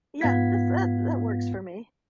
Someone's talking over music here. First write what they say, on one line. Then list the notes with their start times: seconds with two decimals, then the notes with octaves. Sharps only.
Yeah. That's that that works for me.
0.21 G#2 B3 F4 F5 G#6 B6